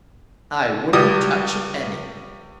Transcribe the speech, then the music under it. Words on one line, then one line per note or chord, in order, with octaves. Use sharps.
I wouldn't touch a penny.
C#2 G3 D#6